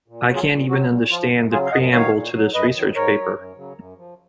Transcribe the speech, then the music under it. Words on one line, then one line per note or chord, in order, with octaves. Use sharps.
I can’t even understand the preamble to this research paper.
A#2
F#4
F#3
F4 G#4
A#2
F#3 F#4
A#2
F3 F4
F#2
C#3 F#3 F4 G#4
F5
F#2 D#5 F#5
D#3 F#3 C#5 F5
A#2
F#3
F#2 B4 D#5
D#3 F#3
G#2 A#4 C#5
F#3
F#2
C#3 F#3
F#2
F3